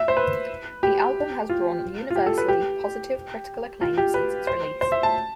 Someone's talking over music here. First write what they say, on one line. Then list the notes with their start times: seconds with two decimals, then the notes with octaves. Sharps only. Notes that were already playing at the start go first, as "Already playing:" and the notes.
The album has drawn universally positive critical acclaim since its release.
Already playing: E5
0.08 C5
0.17 B4
0.83 G4
1.49 F4
2.10 F4
2.16 G4
2.26 A4
2.38 B4
2.48 G4
3.81 F4
3.98 G4
4.14 B4
4.47 C5
4.81 C5
4.92 E5
5.03 A5